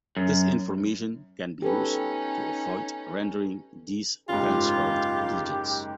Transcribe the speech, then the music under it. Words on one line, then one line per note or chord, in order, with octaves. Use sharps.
This information can be used to avoid rendering these transparent regions.
F#2
C#4 D#4 G4 A4 B4
F#1 G#2 F4 G4